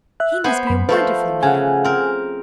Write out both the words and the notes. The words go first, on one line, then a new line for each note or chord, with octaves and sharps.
"He must be a wonderful man."
E5 F#6
B3 C5 G#5
F#2 B5
F3 A3 B4 C5
C#3 F#5 G#5
C4 A#4